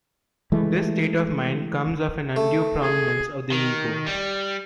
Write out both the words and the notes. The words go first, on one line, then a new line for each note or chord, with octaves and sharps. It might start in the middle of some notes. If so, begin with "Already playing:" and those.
This state of mind comes of an undue prominence of the ego.
E3 G#3 A3
A3
G#4
D#3
G3